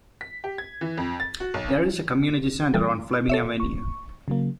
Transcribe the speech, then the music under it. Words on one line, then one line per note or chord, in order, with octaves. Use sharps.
There is a Community Centre on Fleming Avenue.
B6
G4
G#6
E3
F2
A6
F#4
B1
C#4
E3 G3 A4
A4 C#5 E5
C#6
C#3 F#3 A#3